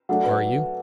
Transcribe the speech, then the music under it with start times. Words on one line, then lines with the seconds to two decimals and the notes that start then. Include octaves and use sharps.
"Are you?"
0.09 F#3 A3 D4 F#5
0.25 B4